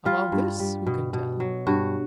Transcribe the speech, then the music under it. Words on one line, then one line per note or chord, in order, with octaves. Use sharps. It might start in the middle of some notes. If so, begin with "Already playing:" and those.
About this who can tell?
G3 F4
G2
G3
B2
B2
F#3
G2 F#4